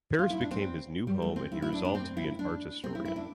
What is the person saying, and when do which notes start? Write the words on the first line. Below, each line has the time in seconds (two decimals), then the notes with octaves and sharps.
Paris became his new home and he resolved to be an art historian.
0.19 F4
0.30 E4
0.41 D4
0.51 C4
1.07 G3
1.22 A3
1.36 C4
1.52 E4
1.62 E4
1.73 D4
1.85 D4
1.95 C4
2.17 E4
2.39 D4
2.84 C4
2.95 E4
3.05 E4
3.16 D4